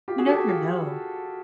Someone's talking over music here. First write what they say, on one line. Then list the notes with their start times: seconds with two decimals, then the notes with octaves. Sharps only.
You never know.
0.08 F4 G4
0.18 F#4 G#4
0.28 G4 A4
0.38 F#4 G#4
0.49 F4 G4